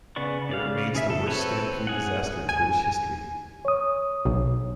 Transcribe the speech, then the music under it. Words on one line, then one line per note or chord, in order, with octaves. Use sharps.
It remains the worst stampede disaster in British history.
C#3 B3 D5 C#6
C#3 D5 F5
C#3 G#4 E5
A4
C4 A4 B4 C#5
G#4 F#5
G#5
C#5 D#6
B1